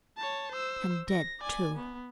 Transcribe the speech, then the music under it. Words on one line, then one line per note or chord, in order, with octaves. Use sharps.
And dead too.
C#5 A5
C5 E6
A#6
D5 G#5
B3